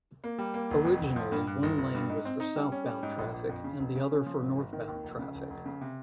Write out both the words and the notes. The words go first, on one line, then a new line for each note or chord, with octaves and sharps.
Originally, one lane was for southbound traffic and the other for northbound traffic.
A#3
G3
A#3
F1
F2
F1
F3
G2
G2
G1
G1
G2
G#2
C4
D#4
G3
C#4
G3
G#2
A#1
A#1
F2
C#3
F1
C#3
C#4
F3
G#1
G#1
D#3
D#2
F1
C#3
F1
F1
C#3
C3